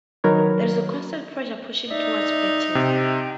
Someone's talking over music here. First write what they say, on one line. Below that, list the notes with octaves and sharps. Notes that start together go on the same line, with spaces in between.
There's a constant pressure, pushing toward pattern.
D#3 F#3 D#4 A#4 B4 C#5
D#4 D5 E5
C3 G5